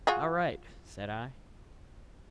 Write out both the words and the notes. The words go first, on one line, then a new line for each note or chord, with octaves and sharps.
"All right," said I.
F4 F#4 G#4